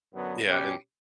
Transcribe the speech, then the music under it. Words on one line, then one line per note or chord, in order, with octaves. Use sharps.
Yeah, and
F#2 D3 F#3 B3 D4
B2 G3 C#4 G4